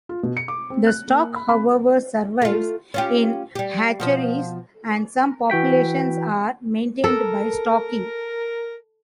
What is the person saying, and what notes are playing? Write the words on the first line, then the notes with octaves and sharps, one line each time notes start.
The stock however survives in hatcheries and some populations are maintained by stocking.
F4
B2
C#7
D6
C4
F#6
A#3
B5
B5
A3 F4
C#4 F4 G4
G3 G4
B2 F3 C5
E3 F#4 G5 B6
A4 A#4